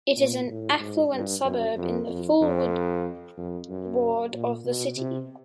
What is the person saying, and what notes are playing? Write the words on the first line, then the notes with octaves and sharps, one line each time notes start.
It is an affluent suburb in the Fulwood ward of the city.
A#2
A2
G#2
G2
F#2
F2
F2
F2
F2
F#2
A#2
B2
C3